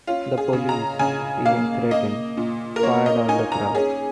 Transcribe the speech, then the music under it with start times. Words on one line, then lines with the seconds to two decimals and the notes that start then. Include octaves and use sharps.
The police, feeling threatened, fired on the crowd.
0.07 C#4 F4
0.38 G#4
0.53 C#3
0.69 A#5
0.99 C#3 G#5
1.45 A#3 F5
1.91 A#3 D#5
2.37 A#2
2.76 A#4
2.83 A#3 C#5
3.06 D#5
3.28 D#4 G#5
3.52 A#5
3.75 C#4 G#4